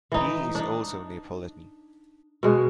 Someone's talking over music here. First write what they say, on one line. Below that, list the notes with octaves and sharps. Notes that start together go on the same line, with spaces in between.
He is also Neapolitan.
E3 D#4
D4 D#4
B2 G#3